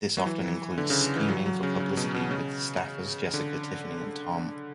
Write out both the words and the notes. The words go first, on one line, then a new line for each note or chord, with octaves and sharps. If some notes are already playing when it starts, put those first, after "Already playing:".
This often includes scheming for publicity with staffers Jessica, Tiffany, and Tom.
F#3
E3
D3
C#3
E3
F#3
F#3
C#3
C#3
B2
B2
C#3
D3